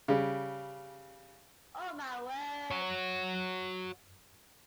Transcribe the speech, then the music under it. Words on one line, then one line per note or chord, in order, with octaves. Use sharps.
Oh my word.
C#3 G3
F#4 C#5